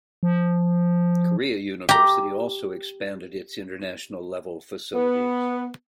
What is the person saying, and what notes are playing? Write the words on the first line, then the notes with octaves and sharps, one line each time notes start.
Korea University also expanded its international-level facilities.
F3
G4 A#5
B3